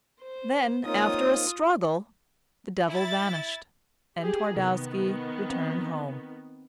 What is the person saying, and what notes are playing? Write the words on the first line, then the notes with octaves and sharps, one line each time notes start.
Then after a struggle the devil vanished and Twardowski returned home.
C5
A#3 C4 D#4 F4 C#5 D#6
E4 A6
G4 G#4
C3 D#3 B3
C4